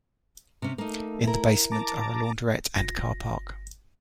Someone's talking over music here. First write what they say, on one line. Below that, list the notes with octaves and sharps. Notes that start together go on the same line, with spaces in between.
In the basement are a launderette and car park.
C3 C#4
A3 A#3 D#4
E4 A#4
A5 A#5 D6
G1 A#6